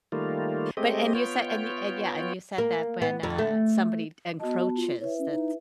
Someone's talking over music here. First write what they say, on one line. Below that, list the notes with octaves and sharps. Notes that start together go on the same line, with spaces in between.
But and you said and y and, yeah, and you said that when, uh, somebody encroaches that
D#3 G3 A3 A#3 F4
G#3 A3 C4 G4 D#5
B3 F4 C#5 G5
A#3
B3
F2
A3
B3 F#4 D#5 A5
F4
E4 B4 C#5 E5
C#4
D#4